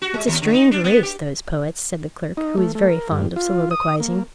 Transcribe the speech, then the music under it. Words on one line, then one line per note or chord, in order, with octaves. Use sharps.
"It's a strange race, those poets!" said the clerk, who was very fond of soliloquizing.
F#4
G#3
D#2
D3
D#4
D4
B3
G4
D#4
A3
A3
A#4
G2
F4
D#6
A#3